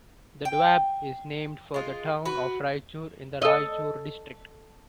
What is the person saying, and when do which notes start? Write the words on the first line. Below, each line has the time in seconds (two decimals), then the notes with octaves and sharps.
The doab is named for the town of Raichur in the Raichur District.
0.45 G5
1.74 G#3 F4
2.25 F#4 B4
3.42 A4 D#5